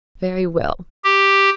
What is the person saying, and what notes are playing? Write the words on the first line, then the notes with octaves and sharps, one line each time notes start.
'Very well.
G4